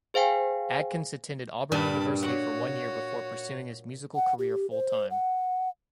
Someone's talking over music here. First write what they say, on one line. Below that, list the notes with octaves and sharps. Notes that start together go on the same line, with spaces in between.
Adkins attended Auburn University for one year before pursuing his musical career full time.
G#4 C5 F5 G5 G#5
G2 A#2 G3 A5 B5
F#4 C#5 F#5
F#5
G4
C5
F#5